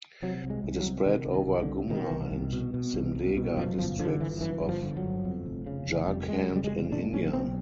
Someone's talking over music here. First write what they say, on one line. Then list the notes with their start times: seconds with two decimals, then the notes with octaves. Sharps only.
It is spread over Gumla and Simdega districts of Jharkhand in India.
0.22 C3 F#3
0.44 C2
0.50 G#3
0.64 C2
0.78 F#3
0.85 C3
1.06 C3 D#3
1.27 C2
1.34 D#3
1.48 C2
1.62 D3
1.69 C3
1.89 B2 D#3
2.11 C2
2.32 C2
2.53 B2
2.74 B2
2.94 C2
3.15 C2
3.37 B2
3.57 F#2 F3
3.78 G1 F3
3.99 D3 F3
4.20 G1 E3
4.41 F#2 E3
4.62 G1
4.69 F3
4.83 D3
4.97 F#3
5.04 G1
5.25 F2
5.46 F1
5.67 C#3
5.88 F1
6.08 F2 G3
6.28 F1 G#3
6.36 G3
6.50 C#3
6.56 G3
6.64 G#3
6.71 F1
6.92 A#2 D4
7.13 B1 C#4
7.33 B1 C4